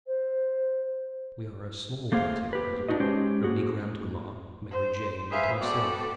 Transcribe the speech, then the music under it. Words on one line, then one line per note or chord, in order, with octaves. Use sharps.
We are a small party at present, only grandmamma, Mary Jane, and myself.
C5
A3 A#3 G#4 C5 F5
G4 B4
D4 D#4 F#4 D#5
G#3 C#4 G4 C5
A#3 F#4 G#4
C5
G#4 B4 C5 E5 F5
B3 F#4 A4 D5 G5